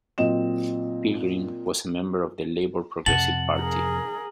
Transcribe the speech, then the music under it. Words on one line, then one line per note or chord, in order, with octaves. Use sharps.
Pilgrim was a member of the Labour Progressive Party.
A#2 F#3 C4 D#5 E7
F2 C3 F#5 A5 F#7
G#4 A#4